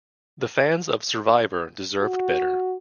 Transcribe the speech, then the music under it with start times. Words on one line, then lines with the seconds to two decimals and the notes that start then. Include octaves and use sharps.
The fans of "Survivor" deserved better.
1.99 F#4